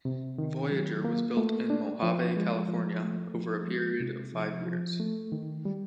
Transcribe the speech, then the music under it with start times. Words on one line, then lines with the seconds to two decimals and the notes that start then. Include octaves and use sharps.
Voyager was built in Mojave, California, over a period of five years.
0.05 C3
0.38 D#3
0.71 F#3
1.05 A#3
1.37 A3
1.70 D4
2.03 F3
2.36 G#3
2.69 F3
3.02 A3
3.35 F3
3.68 G#3
4.00 C3
4.34 F3
4.66 F3
5.00 A3
5.32 D#3
5.65 G3